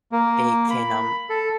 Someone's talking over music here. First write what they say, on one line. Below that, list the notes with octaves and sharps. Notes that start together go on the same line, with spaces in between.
it can, um
A#3
B5
A4